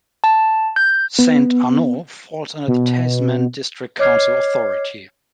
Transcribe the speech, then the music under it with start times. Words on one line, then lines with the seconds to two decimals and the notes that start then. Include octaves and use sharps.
Saint Arnaud falls under the Tasman District Council authority.
0.24 A5
0.76 G6
1.19 B3
2.68 B2
3.99 C#5 D#5 D6 F6 G#6 C7